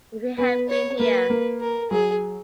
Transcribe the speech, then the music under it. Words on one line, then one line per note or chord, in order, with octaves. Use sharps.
If he had been here.
B3 B4
C#5
A#3 B4
A#3
A#4
F#3 G#4